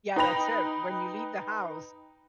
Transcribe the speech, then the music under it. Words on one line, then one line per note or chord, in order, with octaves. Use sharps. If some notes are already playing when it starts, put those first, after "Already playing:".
Yeah, that's it. When you leave the house,
D#4 B4 G5 B5 A#6 F7